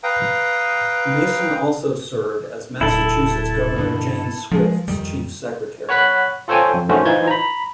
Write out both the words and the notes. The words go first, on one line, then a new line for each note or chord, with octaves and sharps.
Mason also served as Massachusetts Governor Jane Swift's chief secretary.
B4 F5 G5 A#5 D#6
D1 E4 A4
G2 B2 D3
F3 G#3
F2 D#3 G3
C#5 F#5 B5 F#6 B6
F4 A4 C5 C#5 G5 G#5
F2
D#3 A3 C#4 F#4 C5
E3 D#4 F4 C5 G6 G#6
A#5 B5